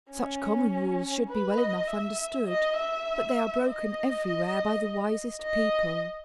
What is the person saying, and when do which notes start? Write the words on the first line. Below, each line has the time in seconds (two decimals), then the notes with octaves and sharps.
Such common rules should be well enough understood, but they are broken everywhere by the wisest people.
0.11 C#4
1.29 B4
1.58 D#5
1.88 E5
2.47 D#5
2.77 E5
3.65 D#5
5.42 D#5